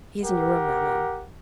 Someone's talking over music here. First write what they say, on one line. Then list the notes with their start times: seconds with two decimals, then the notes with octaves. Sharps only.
He is in your room now, ma'am.'
0.23 G4 A#4 F#5